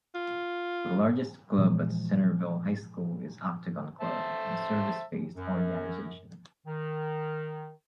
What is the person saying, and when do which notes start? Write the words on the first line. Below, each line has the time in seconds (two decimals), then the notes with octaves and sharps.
The largest club at Centerville High School is Octagon Club, a service-based organization.
0.15 F4
1.58 A#2 E3 F3 G#3
4.01 C5 E5 A5
5.37 F#2
6.67 D#3